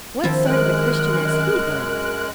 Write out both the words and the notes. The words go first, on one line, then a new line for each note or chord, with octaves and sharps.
"What sort of a Christian has he been?"
D#3 F3 C4 E4
F#2 G#3 A#4 F#6